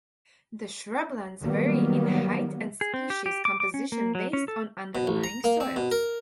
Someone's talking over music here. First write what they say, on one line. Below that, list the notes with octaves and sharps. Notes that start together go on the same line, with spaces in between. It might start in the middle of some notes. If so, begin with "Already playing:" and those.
The shrublands vary in height and species composition based on underlying soils.
D#3 F#3 G3 A#3 B3
G#4
C4
G4
G4
D6
D6
C#4
A#3
F#3
C#4
A4
B2
A1
A#5
A#3
C4
B2
A#4